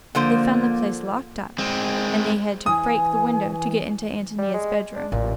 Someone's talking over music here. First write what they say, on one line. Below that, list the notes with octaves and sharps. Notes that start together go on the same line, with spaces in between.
They found the place locked up, and they had to break the window to get into Antonia's bedroom.
D3 F3 A#3 C5
G#3 C4
E3 G#5 D#6
G3
G#3
D4
A1 A#2